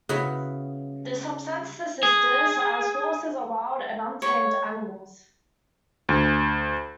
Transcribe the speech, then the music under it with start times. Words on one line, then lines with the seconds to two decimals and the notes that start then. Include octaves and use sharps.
This upsets the sisters, as horses are wild and untamed animals.
0.09 C#3 B3 E4 F#4
2.03 G#4
4.22 C#5
6.09 D2